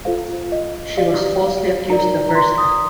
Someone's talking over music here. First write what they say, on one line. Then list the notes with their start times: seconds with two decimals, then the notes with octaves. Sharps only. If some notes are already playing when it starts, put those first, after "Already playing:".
She was falsely accused the first time.
0.05 F4 A4 C5 F5
0.52 D#5
0.97 G4 D5 F5
1.44 F5
1.89 D#4 A#4 D5 A#5
2.29 A#5
2.35 C6
2.58 D#6